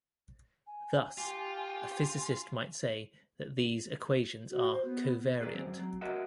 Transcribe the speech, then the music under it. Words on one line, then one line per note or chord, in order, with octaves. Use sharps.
Thus, a physicist might say that these equations are "covariant".
G#5
F4 G4
F#4
C5
B3
G#4 A#4 B4 D5
F#2 C4
F#3
F#4 A#4 C#5 D#5 E5 F#5